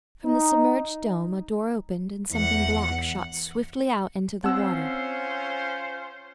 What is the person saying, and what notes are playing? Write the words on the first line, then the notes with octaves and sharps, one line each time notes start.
From the submerged dome a door opened and something black shot swiftly out into the water.
D#4
E2 F#5
C4 C#4 F4 C5 C#5 F#5 E6